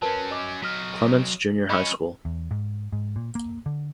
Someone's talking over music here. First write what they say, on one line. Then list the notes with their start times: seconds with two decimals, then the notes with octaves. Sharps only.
Clements Junior High School.
0.02 F#3 C#4 A#4 B4 A5
0.30 F#4 D#5 D6
0.62 F#3 D#5 F6 B6
1.70 F#3 C#4 D#5 B5 C#6
2.25 E2
2.51 G#2
2.92 G#2
3.16 A#2
3.35 A#3
3.66 D3